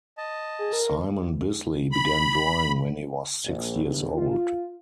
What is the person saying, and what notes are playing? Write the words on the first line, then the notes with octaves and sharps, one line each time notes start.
Simon Bisley began drawing when he was six years old.
D#5 A5
G#4
A#4
B5
A#1
G1
F4